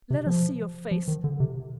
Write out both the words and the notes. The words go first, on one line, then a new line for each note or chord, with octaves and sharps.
Let us see your face!
C3
F3
F3
D#3
D3
C3